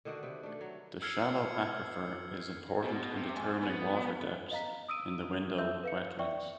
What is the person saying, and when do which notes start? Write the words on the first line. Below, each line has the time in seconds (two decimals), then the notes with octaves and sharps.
The shallow aquifer is important in determining water depths in the ‘window’ wetlands.
0.05 D3 D#3 D4 F#4
0.22 C3 B4
0.43 A3 D4
0.61 F#3
1.02 E6 F6 G#6 C7 C#7 F#7
2.84 B2
3.15 C3
3.34 G#2
3.62 B3
4.51 D#5 F5 A#5 B6
4.89 D#6 E6 D7 D#7
5.58 E5 E6 G6
5.84 B4 F5 C#7
6.19 D5 E5 G5 C#6